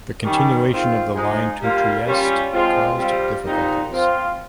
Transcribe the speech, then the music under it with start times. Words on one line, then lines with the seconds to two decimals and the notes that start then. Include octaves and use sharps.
The continuation of the line to Trieste caused difficulties.
0.23 D#3 G3 C#4
0.70 D#3 G#3 C4 F4
1.14 F3 G#3 D#4
1.61 G3 A#3 F4
2.07 G3 C#4 F4
2.53 F3 G#3 C4 F4
2.98 G3 C4 F4
3.44 A#2 G3 C4 D#4
3.90 F3 C4 F4